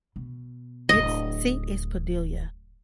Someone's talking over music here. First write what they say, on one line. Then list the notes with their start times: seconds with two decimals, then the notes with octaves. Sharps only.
Its seat is Padilla.
0.16 B2
0.89 D1 G#1 D#5